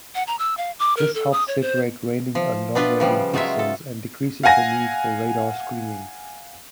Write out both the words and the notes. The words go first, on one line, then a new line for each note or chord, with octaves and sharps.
This helps separate raining and non-raining pixels and decreases the need for radar screening.
F#5
A#5
E6
F5
D6
A#4
A4
D#6
C#5
C5
F3
B3 D4 F4 B4
C#3 F3 G3
F#3 G#3 F4 C#5 E5
A4
F5 F#5 G#5 A#6